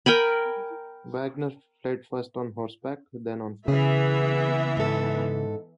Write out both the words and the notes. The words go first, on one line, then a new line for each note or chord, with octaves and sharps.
Wagner fled first on horseback, then on foot.
A#4 G5 G#5 B5
C#3 E3 B3 G#4 E5
G#2 A4